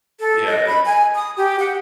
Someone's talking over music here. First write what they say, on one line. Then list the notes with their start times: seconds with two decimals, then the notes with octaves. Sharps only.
Yeah, and
0.20 A4
0.47 D#5
0.66 B5
0.85 G#5
1.15 D#6
1.37 G4
1.59 F#5